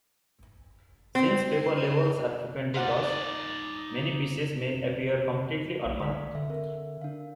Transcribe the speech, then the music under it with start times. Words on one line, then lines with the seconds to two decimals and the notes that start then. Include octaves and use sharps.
Since paper labels are frequently lost, many pieces may appear completely unmarked.
1.15 C4
2.74 D#4 C5 D5 F5 F#5
5.85 B1
6.00 D3 D5 B6
6.35 D3 E5
6.49 C4 A#4 E5
7.01 D4 F5